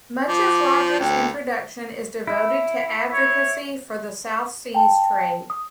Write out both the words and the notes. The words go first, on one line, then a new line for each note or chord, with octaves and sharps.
Much of Rogers' introduction is devoted to advocacy for the South Seas trade.
F3 D6
D2 G5
E4
C#5
G5 A5
D#6